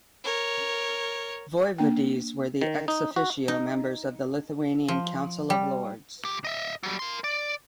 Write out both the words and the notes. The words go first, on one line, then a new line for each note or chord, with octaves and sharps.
Voivodes were the "ex officio" members of the Lithuanian Council of Lords.
A#4 C#5
A#3 D4 G5
D#3
D#4
F#4
D#4
F3
G3
C#2 G4
D#5 E5
F#3 G3
A#4 C6
D5